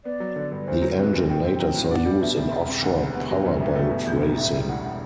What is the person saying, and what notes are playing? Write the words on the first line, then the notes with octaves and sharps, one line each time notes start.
The engine later saw use in offshore powerboat racing.
B3 D5
F#3
D3
G2
D2 C5
F#3
C3 B4
D2
A2 G5
C4
G5
F#3
A2
D4 F#5
G3
B2 E5
C2 D5
E5
E1
C3
D2 F#5
E1
B3 F#5
F#3 G4
F#2
G1 E5
A3
B2
E2
E1
A1 E5
G3
A2 F#5
F#5